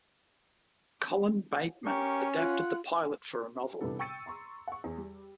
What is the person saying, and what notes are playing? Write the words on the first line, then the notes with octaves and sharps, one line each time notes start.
Colin Bateman adapted the pilot for a novel.
C#4 G4 A#4 C#6
F4 F#5
C3 E3 G3 B3 D4 A4
G5 C#6 E6 A6 C#7 D#7
A#5 C6 C#6
F#5 C#6
E2
G3